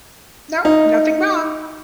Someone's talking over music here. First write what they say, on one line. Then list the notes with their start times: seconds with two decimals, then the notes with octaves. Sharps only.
No. Nothing wrong."
0.65 D#4